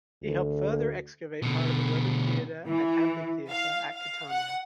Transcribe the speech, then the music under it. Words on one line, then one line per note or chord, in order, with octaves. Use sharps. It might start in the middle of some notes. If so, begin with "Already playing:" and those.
He helped further excavate part of the Roman theater and amphitheater at Catania.
D2
B2 D3
E3
F5
F5
F#5